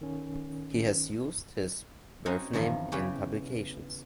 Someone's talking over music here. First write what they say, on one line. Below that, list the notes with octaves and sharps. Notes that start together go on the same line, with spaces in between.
He has used his birth name in publications.
D#3 C#4
C4 C#4 D#4 F#4 G#5
E2 G2 D#3 F3 E5
C#3 E3 C#4 G4 B4